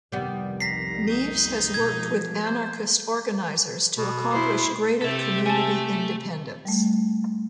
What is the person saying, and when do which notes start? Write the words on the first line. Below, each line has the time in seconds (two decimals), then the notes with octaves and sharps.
Nieves has worked with "anarchist organizers" to accomplish greater community independence.
0.12 C2 F2 D#3 G3 B3
0.60 A#5 B6 C7
1.07 D#4
1.74 B2 F3 G#3 G#6
2.44 C5
3.98 B2
4.31 E4 C5
5.02 C3 G4 A4 E5
5.46 A3 G#5 A5
6.65 G3 A3